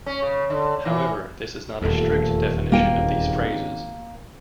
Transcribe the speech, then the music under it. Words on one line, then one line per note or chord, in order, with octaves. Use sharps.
However, this is not a strict definition of these phrases.
C#4
C#3
D3
E3
D#1 E2 F3 A3 A4
G#1 C#2 A#3 G5